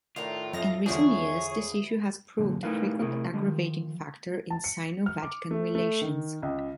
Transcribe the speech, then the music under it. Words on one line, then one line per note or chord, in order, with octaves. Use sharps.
In recent years, this issue has proved a frequent aggravating factor in Sino-Vatican relations.
A2 D#3 D4 F4 A#4
F2 D#4 A4 E5 A#6
E2 D3 E3 F3 E4 G#4 C#5
F#2 A#2 D3
A3 D#4 E4 A#4 B4 F5
C3 G#3 A3 E4 G#4 A#4
D3 G3 G#3
D#3 F3
A5
C#7
F6
D6
A3
A3
D#3
C#2